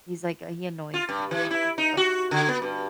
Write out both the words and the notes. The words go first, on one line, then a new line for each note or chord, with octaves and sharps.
He's like, uh he annoys me a lot, actually.
F4
G2
E3
E4
D#4
F#4
D3
B3
G2